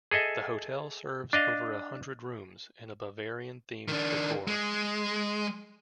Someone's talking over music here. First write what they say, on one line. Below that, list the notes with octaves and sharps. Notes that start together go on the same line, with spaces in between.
The hotel serves over a hundred rooms in a Bavarian themed decor.
G#4 A4 D#5 E5
D4 D#5 F5
D#3 D4
G#3